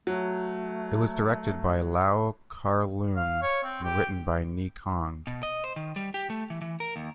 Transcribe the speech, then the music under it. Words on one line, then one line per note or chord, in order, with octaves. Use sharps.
It was directed by Lau Kar-Leung and written by Ni Kuang.
F#3 A3
F5
C#5
C4
G4
B2
D#5
C5
D#3
G3
G4
A3
E3
E3
A#4
D#2